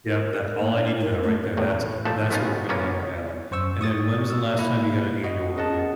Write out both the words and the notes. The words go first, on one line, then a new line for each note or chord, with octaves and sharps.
Yeah. That's all I need to know right there. That's that's what we're gonna hang our hat on. And then when was the last time you got an annual review?
A#4
A#3
D4
A#4
A3
A1 E2 A2
A#2 F3 A3 F#5 A5
A3 B3 C#4 D#4 F4
F#3 A#3 B3 C#4 F4
F#2 C5 C#6 E6
A3 C#6 D#6 A6
E6
A#3 E4
F#4 D#5
C#4 G#4 A#4 D#5 F#5 A5